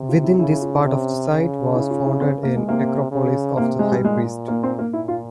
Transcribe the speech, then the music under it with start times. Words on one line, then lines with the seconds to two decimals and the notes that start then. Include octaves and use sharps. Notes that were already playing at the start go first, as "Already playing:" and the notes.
Within this part of the site was founded a necropolis of the high priests.
Already playing: C3
0.09 F4
0.24 E4
0.39 C#3 E4
0.51 E4
0.62 F4
0.73 E4
0.84 C3 C#4
1.30 C#3
1.75 E4
1.90 F4
2.06 E4
2.20 C4
2.43 A#3
2.56 G#3
2.67 C3 A#3
3.11 C#3
3.56 C3 A#3
3.79 G#3
3.92 G3
4.03 A#2 G#3
4.48 A#3
4.63 C4
4.79 A#3
4.93 A#2 E4
5.08 F4